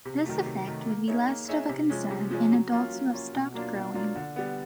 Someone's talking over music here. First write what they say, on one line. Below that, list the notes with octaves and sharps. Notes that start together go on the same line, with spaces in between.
This effect would be less of a concern in adults who have stopped growing.
C3
D#3 F#3 A3
C3
D#3 F#3 A3
A#3
D#4 G#4 C#5 E5
A#3
D#4 G#4 C#5 E5
C3
F3 G#3 C#4
C3
F3 G#3 C#4
F#3
A#3 C#4 F4
F#3
A#3 C#4 F4
B2
F#3 A#3 D4 F4
B2
F#3 A#3 D4 F4
D3
G3 B3